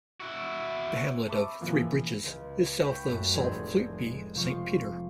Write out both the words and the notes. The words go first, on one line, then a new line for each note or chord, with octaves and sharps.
The hamlet of Three Bridges is south of Saltfleetby Saint Peter.
E4 F#4
E5 A5 B5 C#6 D6 E6
A#2 E3 F3 A#3
C#2
G5 B5 C#6 A#6 B6
F#2 A3
F1 A2 G3 C4 G#4
G#3
C3 F3 F4 C#6 C#7